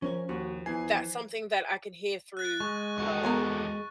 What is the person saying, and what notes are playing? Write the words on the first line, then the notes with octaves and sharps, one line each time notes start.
that's something that I can hear through, um,
F3 C#4 A#4 G#5
D#2 F#4
E2 E3 G#5 C7
F#6 A6
G#3 C#6
E2 F#4 A4 C#6
B3 G#4 A#4